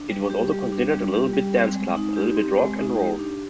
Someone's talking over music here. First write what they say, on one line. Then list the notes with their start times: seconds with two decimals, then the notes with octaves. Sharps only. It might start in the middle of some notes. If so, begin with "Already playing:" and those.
It was also considered a little bit dance-club, a little bit rock and roll.
Already playing: D4
0.10 G3
0.30 G4
0.52 G3
0.72 D4
0.92 G3
1.14 G4
1.34 G3
1.54 C4
1.75 G#3
1.96 D#4
2.16 G4
2.37 C4
2.58 G#3
2.79 D#4
2.99 G4
3.19 D4